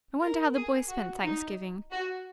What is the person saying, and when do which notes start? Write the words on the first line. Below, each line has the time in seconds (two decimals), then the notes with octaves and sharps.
I wonder how the boys spent Thanksgiving.
0.21 A#4
0.55 G#4
0.89 F#4
1.23 D#4
1.91 F#4